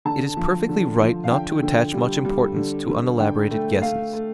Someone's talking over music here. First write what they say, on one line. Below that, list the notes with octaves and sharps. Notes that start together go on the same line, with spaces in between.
It is perfectly right not to attach much importance to unelaborated guesses.
D3 A5
F3
D3
F3
F5
D3 G5
D3
G3
G3
D3
D3
D3 G5
A3
A3 F5
A3